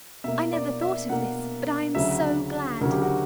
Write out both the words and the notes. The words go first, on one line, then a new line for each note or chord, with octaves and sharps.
I never thought of this; but I am so glad.
B2 A#3 E5
D5
E5
B2 A#3 F#5
D2 C#3 F#3 E5
D2 C#3 F#3 A#4
G4
F#4